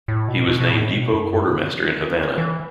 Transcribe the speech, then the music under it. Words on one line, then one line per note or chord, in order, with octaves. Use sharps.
He was named Depot Quartermaster in Havana.
A2
B2
B2
B2
A2
B2
F#2
G2
C3
D3
E3
D3
E3
E3